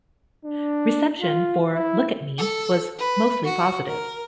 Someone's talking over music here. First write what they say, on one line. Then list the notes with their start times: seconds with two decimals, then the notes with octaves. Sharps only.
Reception for "Look at Me" was mostly positive.
0.45 D4
1.21 F4
1.74 E4
2.37 A4
2.97 B4
3.45 F#4
3.87 A#4